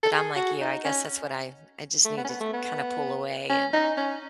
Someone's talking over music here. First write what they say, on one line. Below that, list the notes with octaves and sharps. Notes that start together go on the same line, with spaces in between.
But I'm like you, I guess that's what I I just need to kinda pull away and
A4
G#4
F#4
D#4
C#4
A3
B3
C#4
B3
A3
B3
C#4
D#4
C#4